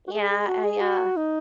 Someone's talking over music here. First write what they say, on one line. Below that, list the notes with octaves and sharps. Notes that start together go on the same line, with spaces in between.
Yeah, I, uh
F#4
G#4
G#4
F#4
G#4
F#4
D#4